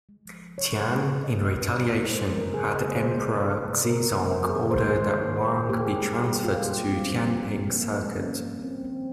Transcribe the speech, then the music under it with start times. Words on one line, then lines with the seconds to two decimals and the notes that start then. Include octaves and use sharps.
Tian, in retaliation, had Emperor Xizong order that Wang be transferred to Tianping Circuit.
0.09 G#3
0.26 F3
0.42 F3
0.57 C3 C#5
0.74 A#3
0.90 A#3
1.07 C3
1.23 G3 D#5
1.39 C3
1.45 D#5
1.56 G3
1.67 C5
1.73 A#3
1.88 G#3 A#4
2.04 G#3
2.10 C5
2.20 G#3
2.32 A#4
2.38 C#3
2.53 C#3 G#4
2.69 C#3
2.75 D#5
2.87 G#3
2.96 C5
3.02 G#3
3.19 C3
3.36 A#3
3.52 A#3
3.67 C3
3.84 C3 A#4
4.01 C3
4.17 C3
4.22 C5
4.27 A#4
4.33 A#3
4.49 D#3 G#4
4.65 D#3
4.71 C5
4.81 D#3
4.93 C5
4.99 D#3
5.14 A#3 C#5
5.30 D#3
5.36 C5
5.47 A#3
5.57 A#4
5.63 A#3
5.69 G4
5.79 A#2 G#4
5.96 G3 G4
6.12 A#3
6.22 G4
6.29 G3
6.44 A#3 F4
6.61 A#2
6.66 G4
6.78 A#3
6.88 C4
6.94 G3
7.09 F3
7.26 A#2
7.43 A#3
7.59 A#3
7.75 A#3
7.91 F3
8.08 F3
8.19 C#4
8.25 F3
8.40 A#3
8.56 D#3
8.62 C4
8.73 D#3
8.84 C4
8.89 A#3